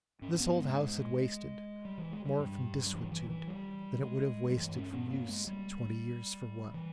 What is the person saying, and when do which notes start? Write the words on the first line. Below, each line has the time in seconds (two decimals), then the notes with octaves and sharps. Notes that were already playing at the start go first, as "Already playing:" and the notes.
This old house had wasted--more from desuetude than it would have wasted from use, twenty years for one.
0.22 G#2 C#4
0.34 C#4
0.40 B3
0.58 G#3
1.85 G3
1.98 E3
2.12 G#3
2.25 G3
2.39 G2
2.86 G3
2.93 E3
3.12 E3
3.30 E3
3.47 G3
4.02 G#3
4.49 G3
4.57 G2 E3
4.75 C#4
4.93 B3
5.11 A#3
5.29 G#3
5.47 G3
6.74 E3